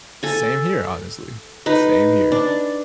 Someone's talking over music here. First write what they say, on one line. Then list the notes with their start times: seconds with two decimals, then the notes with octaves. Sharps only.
Same here, honestly, same here.
0.23 A4 G#5
1.66 D#4 B4
2.32 D4